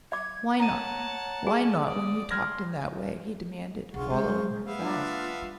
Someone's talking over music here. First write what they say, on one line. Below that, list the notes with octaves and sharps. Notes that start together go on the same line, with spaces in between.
"Why not--why not, when we talked in that way?" he demanded, following her fast.
E5 D6 G#6
C#5 F#5 A5 A#5 D#7
G#4 G#5
D5 D#6
C6 F6 G#6 A#6
B1 D3 F4 G#4 F#5 C#6
G#3 A#3 C5
B3 E5 F5
D4 F4
G3